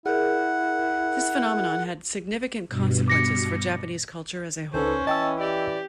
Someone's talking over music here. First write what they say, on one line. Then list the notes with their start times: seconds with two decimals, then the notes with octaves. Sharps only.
This phenomenon had significant consequences for Japanese culture as a whole.
0.06 E4 G#4 A#4 F#5
2.68 G2 B2
3.08 D6 A#6 C#7
4.74 C#2 C#4 D#4 A4 B4 C5
5.07 E3 D#5 G5 A5 E6
5.40 G4 D5